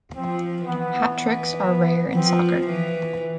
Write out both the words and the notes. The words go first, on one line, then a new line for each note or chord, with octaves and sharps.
Hat tricks are rare in soccer.
F3 C4
E3 B3
B3
F3 C4
E3